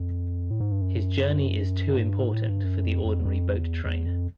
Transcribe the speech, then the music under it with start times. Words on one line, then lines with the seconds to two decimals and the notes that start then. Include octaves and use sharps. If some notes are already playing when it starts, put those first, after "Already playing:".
His journey is too important for the ordinary boat-train.
Already playing: F2
0.51 A2
0.60 G#2
0.71 G2
0.81 F#2
1.97 G#2
2.03 G2
2.19 G#2
2.33 A2
2.49 G2
2.65 F#2
2.84 F2
3.05 F2
3.19 E2
3.25 F2
3.56 E2
3.85 E2
4.06 F2